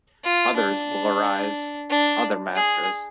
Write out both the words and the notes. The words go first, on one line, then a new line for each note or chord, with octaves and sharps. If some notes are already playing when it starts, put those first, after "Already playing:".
Others will arise — other masters.
F4
D4
D4
G#4